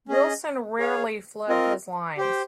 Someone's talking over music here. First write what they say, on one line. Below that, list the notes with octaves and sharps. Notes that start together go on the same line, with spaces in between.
Wilson rarely flubbed his lines.
C#4 G#4 D#5
G#4 C#5 F5
C4 F4 A#4 D#5
G4 C5 G5